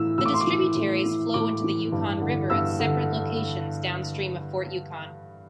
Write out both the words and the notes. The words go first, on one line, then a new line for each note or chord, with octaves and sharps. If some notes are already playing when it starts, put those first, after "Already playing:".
The distributaries flow into the Yukon River at separate locations downstream of Fort Yukon.
Already playing: A2 E3 E6
A2 E6
D6
C6
D6
E3
A2
E3
A2 D6
E3
G2
D3
G2 E6
D3